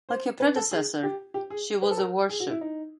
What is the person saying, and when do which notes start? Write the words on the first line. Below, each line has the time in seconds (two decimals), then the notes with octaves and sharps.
Like her predecessor, she was a warship.
0.09 C5
0.40 B4
0.56 A4
0.71 G#4
1.03 G4
1.34 G4
1.50 G#4
1.82 B4
1.91 A4
1.97 A#4
2.29 G#4
2.40 F#4
2.50 E4
2.61 D#4